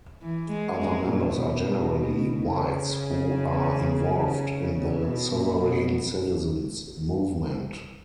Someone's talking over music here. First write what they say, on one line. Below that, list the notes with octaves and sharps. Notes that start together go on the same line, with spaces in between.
Other members are generally whites who are involved in the "sovereign citizens" movement.
E3
G#3
G#3
A#2
B2
C#3
C#3
B2
A#2
B2